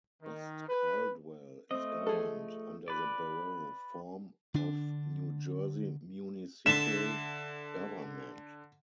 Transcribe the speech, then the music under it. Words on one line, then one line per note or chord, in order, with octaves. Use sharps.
West Caldwell is governed under the Borough form of New Jersey municipal government.
D#3
B4
A3 C4 D#5
F3 G#4 A4
B4 D5
D3 D4
D3 E5 A5 C6 E7